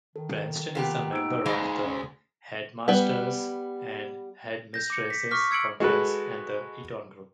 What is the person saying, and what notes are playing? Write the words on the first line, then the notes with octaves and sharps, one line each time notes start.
Bryanston is a member of the Headmasters' and Headmistresses' Conference and the Eton Group.
D#3 A4
A#2 B3 G4
D#4 E6 D7
D2 G#3 F5 B5
C#4
G3 B3
G6 A#6
D6 C#7
B6
C#6 D6 F6 B6
E6 G#6 C#7 D7 F#7
G#3 F#4 A4 B4